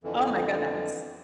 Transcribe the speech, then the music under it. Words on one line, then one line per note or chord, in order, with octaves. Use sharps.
Oh my goodness.
F2 D3 E3